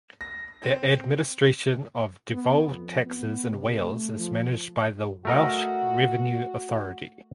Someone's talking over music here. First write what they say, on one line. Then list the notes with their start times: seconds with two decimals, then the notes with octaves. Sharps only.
The administration of devolved taxes in Wales is managed by the Welsh Revenue Authority.
0.21 A#6
0.63 C4
2.33 B3
2.67 F2
3.06 B3
3.50 C3
3.80 A3
4.18 F3
5.25 A3 F#4 A#4 D#5